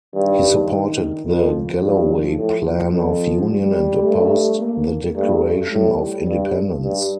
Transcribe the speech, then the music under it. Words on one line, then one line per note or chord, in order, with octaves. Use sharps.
He supported the Galloway Plan of Union and opposed the Declaration of Independence.
G2 D#3
F2 F3
G2
A2 F3
F2
G3
G2 A3
A#3
G2 A3
A2 G3
G2
G2